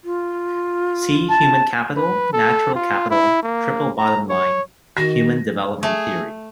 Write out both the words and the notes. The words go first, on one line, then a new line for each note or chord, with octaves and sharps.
See human capital, natural capital, triple bottom line, human development theory.
F4
A5
B4
A4
F4
E4
A#3
A#5
C#5
D#3 F#4 A#6
A3 G#4